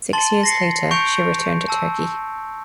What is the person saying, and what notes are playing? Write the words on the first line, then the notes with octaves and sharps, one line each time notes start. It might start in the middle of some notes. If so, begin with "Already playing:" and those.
Six years later she returned to Turkey.
A5 C6 A6 F#7 G7
A#6 C7 C#7
C#6 G6 C#7 D7 F7
A5 E6